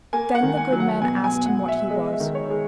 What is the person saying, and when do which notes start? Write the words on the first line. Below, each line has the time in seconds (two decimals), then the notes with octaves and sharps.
Then the good man asked him what he was.
0.13 A#3 G#5
0.35 F#5
0.43 D#3
0.57 G#5
0.72 F#3
0.80 F#5
1.02 B2 G#5
1.24 G#5
1.32 B2
1.46 F#5
1.61 B2
1.68 E5
1.90 G#3 D#5
2.05 D#5
2.13 E5
2.20 D#3
2.35 C#5
2.50 G#3